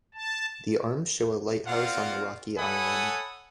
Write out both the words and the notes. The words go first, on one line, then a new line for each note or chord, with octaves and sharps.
The arms show a lighthouse on a rocky island.
A5
A#3 C4 F4 D5 F5 F#5
A4 C#5 F#5 G#5 B5 D#6